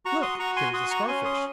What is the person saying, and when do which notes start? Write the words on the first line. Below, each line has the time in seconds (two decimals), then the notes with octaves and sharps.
Look, here is a Starfish!
0.05 F#4 A#5 C#6
0.22 C6 D#6
0.39 F#4 A#5 C#6
0.56 G#5 C6
0.73 F#4 C6 D#6
0.91 A#5 C#6
1.08 C#4 G#5 C6
1.25 C6 D#6